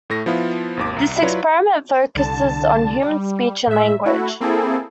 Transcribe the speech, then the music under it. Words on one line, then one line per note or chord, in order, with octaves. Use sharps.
This experiment focuses on human speech and language.
A2 A3 A#6
F3 B3 E4 F4
G#1 D#2 D6
C2 A#5
F#3 E4 F4 B4 C#5 D5
C2 D3 A5
G3
A2 E5
A3 E4 F#4
A#3 C4 E4 G#4 A4